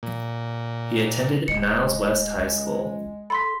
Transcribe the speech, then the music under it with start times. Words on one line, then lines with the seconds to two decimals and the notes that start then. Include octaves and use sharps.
He attended Niles West high school.
0.03 A#2
1.48 D1 G#3 C#7
2.39 C#2
3.30 A4 B5 C6 B6